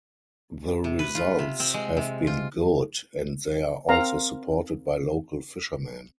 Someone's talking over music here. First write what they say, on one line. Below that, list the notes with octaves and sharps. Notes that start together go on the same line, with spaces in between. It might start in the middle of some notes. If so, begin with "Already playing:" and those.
The results have been good and they are also supported by local fishermen.
C3
B4
F4
C3
C4
G#3
C3
F4
C4 A#4 F5 A#5